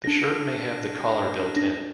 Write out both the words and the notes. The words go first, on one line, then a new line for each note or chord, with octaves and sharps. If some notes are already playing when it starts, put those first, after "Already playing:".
The shirt may have the collar built in.
D4 A#6